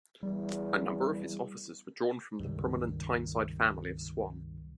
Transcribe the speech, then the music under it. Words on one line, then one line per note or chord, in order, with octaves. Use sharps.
A number of its officers were drawn from the prominent Tyneside family of Swan.
E2 G3
C#2 G2 C3 D#3 G3